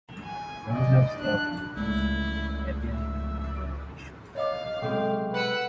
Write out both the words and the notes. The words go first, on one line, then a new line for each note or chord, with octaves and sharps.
Photographs of Lupus would appear in a number of issues.
G#5
D5 D#5
D4 F#6
C#2 G#3 A3 E4 D5
E5
C#5 D#5 F5 D6
B1 C3 G#3 G#4 A4 G5 C#6
B4 F#5 E6